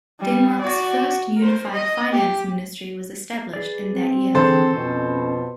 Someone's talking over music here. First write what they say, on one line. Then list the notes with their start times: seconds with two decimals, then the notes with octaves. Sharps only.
Denmark's first unified Finance Ministry was established in that year.
0.20 G3
0.61 F#4 D5
1.38 A#4 C5
1.73 D#5
2.11 G4
3.54 G#4 B4 D5
3.93 C4
4.35 D3 E3 G#4 A4 C5 A5
4.74 F2 B2 C#4